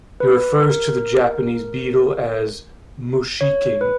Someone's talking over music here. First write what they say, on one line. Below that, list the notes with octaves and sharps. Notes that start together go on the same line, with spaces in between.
He refers to the Japanese beetle as "Mushiking".
B4
A#4
C#5
B4